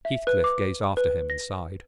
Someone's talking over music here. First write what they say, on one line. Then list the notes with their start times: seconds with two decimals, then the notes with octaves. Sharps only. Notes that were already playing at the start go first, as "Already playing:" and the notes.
Heathcliff gazed after him, and sighed.
0.05 E5
0.27 B4
0.44 D6
0.97 B4
1.30 A#6